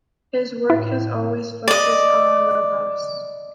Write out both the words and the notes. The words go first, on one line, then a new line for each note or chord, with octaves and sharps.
His work has always focused on La Paz.
A2 E4
D5 D#5